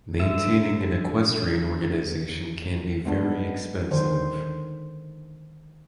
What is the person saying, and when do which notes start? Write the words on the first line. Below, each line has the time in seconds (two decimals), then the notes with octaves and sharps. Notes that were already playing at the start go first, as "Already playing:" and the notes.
Maintaining an equestrian organization can be very expensive.
0.20 D3 E5
3.05 G#3 B3 D4
3.91 D3 D#3 C5